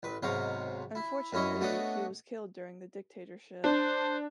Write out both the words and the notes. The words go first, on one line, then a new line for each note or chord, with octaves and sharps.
Unfortunately, he was killed during the dictatorship.
A1 B4
B1 G#2 C3 C#5 F5 A#5
E4
F#2 C#4 E4 C#5 D#5
A3 B3 D4 F#4 C#5 D#5
D4 C5